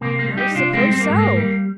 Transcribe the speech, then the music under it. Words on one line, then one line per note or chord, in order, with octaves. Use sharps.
'I suppose so.
C3 A#3
A#3
G3
D#4 G4
C3 D4 F4
G#3 C4
G3
C4
A#3
G#2 G#3
A#3
G3